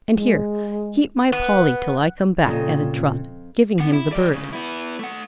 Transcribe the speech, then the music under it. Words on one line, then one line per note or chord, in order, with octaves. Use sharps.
"And here--keep my polly till I come back," added Trot, giving him the bird.
G#3
B3
F2 A#2 C#3 D#5
C4 F#5
E4
F#3 D5
D2 C#3
B3 E4
A3 F#5